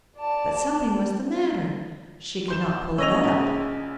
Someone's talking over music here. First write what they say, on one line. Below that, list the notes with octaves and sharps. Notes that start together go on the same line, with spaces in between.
But something was the matter; she could not pull it up.
D5 A5
C6 G6 E7
C#4 D#5 E6 A#6 F7
A#1 C#3